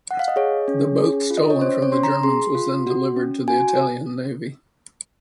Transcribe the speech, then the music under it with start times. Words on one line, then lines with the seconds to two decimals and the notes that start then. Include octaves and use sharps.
The boat stolen from the Germans was then delivered to the Italian navy.
0.11 F#5
0.19 F5
0.28 D#5
0.36 G#4 C#5
0.68 C#4
0.99 G#4
1.31 F4
1.38 D#5
1.50 C#5
1.61 C#4 C5
1.82 C#5
1.92 C#4 C6
2.03 A#5
2.23 G#4 C6
2.55 F4
2.87 F#4
3.17 C#4
3.48 F#4 G#5